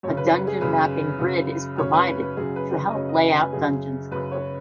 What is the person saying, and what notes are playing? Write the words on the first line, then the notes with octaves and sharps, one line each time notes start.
A Dungeon Mapping Grid is provided to help lay out dungeons quickly.
F#2 C#3 C#5
B4
B4
G#4
F#2 C#3 B4
F#2 C#3
F#2 C#3 C#5
B4
B4
B4
F#2 C#3 G#4
B4
B4
D#5
F#2 C#3 C#5
D#5
G#5
B4
F#2 C#3 G#4
F#2 C#3 B4
C#5